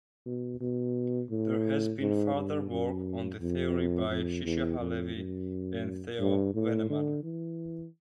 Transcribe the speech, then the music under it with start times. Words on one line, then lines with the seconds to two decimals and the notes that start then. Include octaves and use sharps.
There has been further work on the theory by Shisha-Halevy and Theo Vennemann.
0.26 B2
0.60 B2
1.30 A2
2.00 G#2
2.34 G2
2.70 F#2
3.40 F2
4.09 F2
4.45 E2
4.80 F2
5.15 F#2
6.19 G2
6.54 A2
6.89 D3
7.24 E3